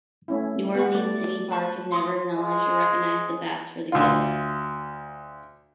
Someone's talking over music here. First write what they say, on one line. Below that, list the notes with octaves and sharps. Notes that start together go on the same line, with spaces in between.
New Orleans City Park has never acknowledged or recognized the Batts for the gifts.
A3 C#4 E4
B3 F#4 F#5 C#6
A3 D5
B4 A5 C#6
C6 D6 D#6
G#3
D2 F4